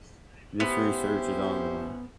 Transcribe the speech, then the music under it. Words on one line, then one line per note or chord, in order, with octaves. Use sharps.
This research is ongoing.
B3 C#4 E4 G4 C5